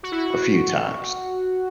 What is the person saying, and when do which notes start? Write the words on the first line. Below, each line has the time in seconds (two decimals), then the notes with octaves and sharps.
a few times.
0.03 F#4
0.12 E4
0.18 F#4